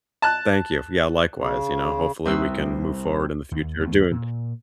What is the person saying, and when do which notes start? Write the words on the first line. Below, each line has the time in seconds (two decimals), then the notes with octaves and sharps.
Thank you. Yeah, likewise. You know, hopefully, we can move forward in the future doing
0.22 A5 F#6
1.38 C#3
2.25 C2 C4 B4 E5 E6
3.52 D#2
3.79 D#2 G3 A3
4.11 A#2